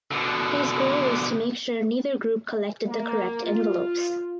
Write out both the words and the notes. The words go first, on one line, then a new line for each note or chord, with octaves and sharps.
His goal was to make sure neither group collected the correct envelopes.
B2 D3
A#3
F4